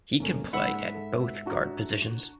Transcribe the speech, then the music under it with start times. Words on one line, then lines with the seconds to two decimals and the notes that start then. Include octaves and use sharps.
He can play at both guard positions.
0.20 G1 A#3 C#4 A4
0.53 G#2 E5 F#5 B5
0.94 A4
1.46 D4 F#4 A#5